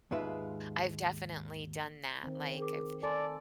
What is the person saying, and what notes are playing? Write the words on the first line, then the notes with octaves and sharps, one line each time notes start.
I've definitely done that, like, I've
D#2 G#2 G#3 F4 B4 E5
D#3 C4
G#4 A#4 D6
A4 D5 G#5 C6